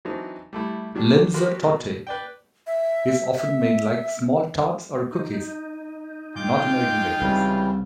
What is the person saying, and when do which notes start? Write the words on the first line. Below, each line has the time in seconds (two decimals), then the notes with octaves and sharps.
Linzer Torte is often made like small tarts or cookies in North American bakeries.
0.05 E3 F#3 C4 D4 D#4
0.53 G3 A3 E4
0.95 D#3 F#3 G3 D4
1.34 F#4 G4 A#4 B4 C6
1.62 B2
2.07 B4 D5 G5
2.67 E5
3.36 E5
5.12 D#4
6.36 G#3 F4 G5 D6 G6
7.21 C2 C#3 E3 G3